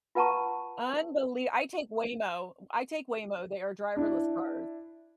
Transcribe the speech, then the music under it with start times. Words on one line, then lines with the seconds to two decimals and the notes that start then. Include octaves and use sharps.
Unbeli I take Waymo. I take Waymo. They are driverless cars.
0.15 F4 B4 F#5 A5 A#5 C#6
3.96 D4 E4